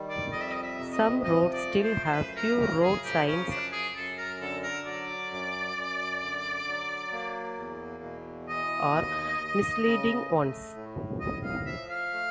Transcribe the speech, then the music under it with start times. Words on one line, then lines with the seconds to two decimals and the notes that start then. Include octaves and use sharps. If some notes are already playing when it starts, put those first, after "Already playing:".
Some roads still have few road signs or misleading ones.
Already playing: D#3 G3
0.10 D5
0.32 F2 D#5
0.42 E5
0.52 D#5
0.63 E5
0.78 C3
0.93 D#5
1.22 F3 D#5
1.53 D5
1.68 A3
1.83 C5
2.04 C5
2.14 F#2 B4
2.37 A#4
2.59 C#3 A#4
2.82 G#4
3.04 F3 G4
3.27 C#4
3.50 F#2 D4
3.72 G#4
3.95 F#2 A4
4.18 A#4
4.41 D3 A4
4.63 A#4
4.85 F#3 D5
5.31 F#2
5.77 F#2
6.22 D3
6.67 F#3
7.12 A#3
7.58 E2
8.03 B2
8.49 E3 D#5
8.94 D#2
9.40 D#2
9.86 C#3
10.30 A3
10.75 A2
11.21 A2 D#5
11.44 F5
11.66 F3 E5
11.89 F5
12.12 A3